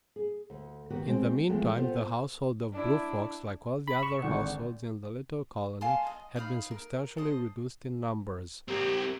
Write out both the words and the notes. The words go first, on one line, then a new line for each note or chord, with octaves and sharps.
In the meantime the household of Blue Fox, like all the other households in the little colony, had been substantially reduced in numbers.
G#4
D2
D#3 B3 F#4 G4 B4
G#3 C4 C5
E3 F3 G#3 A3 B3 G5
C3 B3 F4 A4 C5
D4 E4
B5
C#6 E7
G#1 D3 F#5
F5 G#5 A5 C6
D#5
D#4 D5 F5 B5
A#4
C5 D#5 A5
C4 G4 A#4